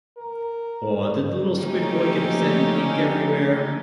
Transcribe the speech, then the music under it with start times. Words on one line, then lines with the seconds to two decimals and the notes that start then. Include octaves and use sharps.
Aw, did little squid boy get upset and ink everywhere?
0.17 A#4
1.59 F3 A3 A#3 C#4 D#4 G4